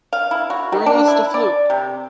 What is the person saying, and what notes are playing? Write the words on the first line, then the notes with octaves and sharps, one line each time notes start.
Bring us the flute!
F5
E4
F#4
D#3
D4
E4
D5
C3